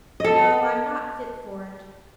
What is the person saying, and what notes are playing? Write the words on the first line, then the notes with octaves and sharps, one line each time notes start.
No; I'm not fit for it.
A4 D#5